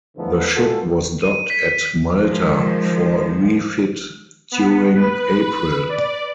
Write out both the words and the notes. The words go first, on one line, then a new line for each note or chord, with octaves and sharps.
The ship was docked at Malta for refit during April.
E2 G#2 D3 F3 A3 B3
G#3 F4 F#4 A4
D#7
B6
D#3 F3 G#3
B3
B4
D5